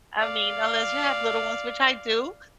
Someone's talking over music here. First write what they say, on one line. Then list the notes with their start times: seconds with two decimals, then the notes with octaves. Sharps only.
I mean, unless you have little ones, which I do,
0.19 D5 F5